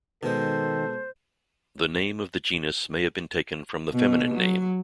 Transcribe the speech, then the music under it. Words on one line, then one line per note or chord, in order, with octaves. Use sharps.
The name of the genus may have been taken from the feminine name.
B2 D#3 G#3 A4 C5
B2
F#3